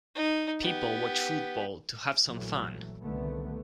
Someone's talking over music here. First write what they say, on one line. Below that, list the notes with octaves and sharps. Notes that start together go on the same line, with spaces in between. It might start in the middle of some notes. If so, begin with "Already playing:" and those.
People watch football to have some fun.
D#4
B3 G4
A#1 E3 F#3 A3
C2 D3 D#3 A3 B3